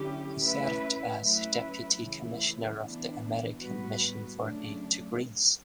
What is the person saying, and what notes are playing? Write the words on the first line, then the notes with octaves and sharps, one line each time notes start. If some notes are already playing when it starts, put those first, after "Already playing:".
He served as Deputy Commissioner of the American Mission for Aid to Greece.
Already playing: D3 F#3 C#4 E4 G4
A3 C#4 E4 B4
F#3 A3 C#4 E4 B4
C#3 E3 A3 E4
E3 B3 D4
A2 G3 B3 F#4 B4
C#3 F#3 A3 D4